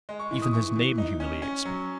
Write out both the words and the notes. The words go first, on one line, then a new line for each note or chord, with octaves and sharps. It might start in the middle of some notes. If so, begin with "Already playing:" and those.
Even his name humiliates me.
G#3
C#6
E3
D#6
E3 C#6
E3
D#4
C#4
C#4
F#3